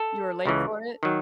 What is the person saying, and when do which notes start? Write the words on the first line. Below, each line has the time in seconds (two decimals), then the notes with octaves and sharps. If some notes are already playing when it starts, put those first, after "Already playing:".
You were late for it?
Already playing: A4
0.45 C#2 C#3 E3
1.03 D#3 F#3